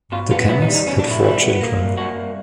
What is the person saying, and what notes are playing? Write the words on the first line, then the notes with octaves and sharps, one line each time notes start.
The Kennas had four children.
B2 F4
B3 F4
B3 E4
D#4
G3
D#4
B2 C#4
D4
B2
E4
G3
B3
A#3
C2
A#3 F#4
C2